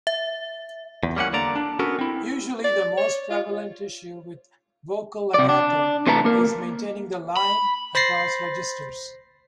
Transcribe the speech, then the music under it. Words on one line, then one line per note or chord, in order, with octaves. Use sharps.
Usually the most prevalent issue with vocal legato is maintaining the "line" across registers.
E5
E2
G3 A#3 C#4 F#5
D3 A#3 D5 A#5
D4
B3 C#4 F#4 A4 A#4
C4 E4
D5
C#5
F4
C3 D5
D4
C3 E3 A3 B4 A5 A#5
A#3 A#4
B5
C5 B5 A6 A#6 C7